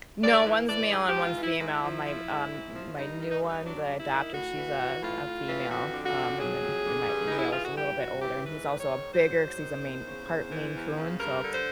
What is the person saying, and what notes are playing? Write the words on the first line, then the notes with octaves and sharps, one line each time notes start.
No, one's male and one's female. My, uh, m my new one, the adopted she's a a female, um, and then, you know, my male's a little bit older, and he's also a bigger because he's a Maine part Maine Coon, so,
G#2 D5
E3
E3 D5
G#2 G#4
G4
G#2
F4
E3
E4
G#2 E4
F3
F3
G#2
G#2
F3
G2 D#4
D#3
D#4
G2 E4
D#4
F#3 D4
G2
E4
D#3
A2 F#4
E3
E3
A2 F4
A2
E3
F2 F#4
D3
F#4
F2
F#3 G#4
F2
D3
G2
E3 D#4
E4
E3 F4
F#4
G2 G4
G2 F#4
E3 G4
G#2 B4
D#3
C#5
G#2
F#3 C5
G#2
D#3
E2
C#3
E2
E3
E2
C#3
G2 A#4
D3
C5